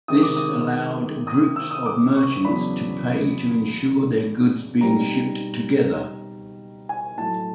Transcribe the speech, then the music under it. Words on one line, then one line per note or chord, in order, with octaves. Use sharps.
This allowed groups of merchants to pay to insure their goods being shipped together.
C3 D#3 G#3 D#6
D6
D#6
D#6
E6
D#6
D6
C#6
E2 C#3 F#3 B3 D4 B5
B2 G3 C4 D#4 A#5
G#5
A2 F#3 A3 A5